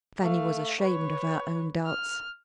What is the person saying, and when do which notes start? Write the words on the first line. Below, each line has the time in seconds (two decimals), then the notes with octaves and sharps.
Fanny was ashamed of her own doubts.
0.21 A3 F5
0.79 B4 C#5
1.86 F6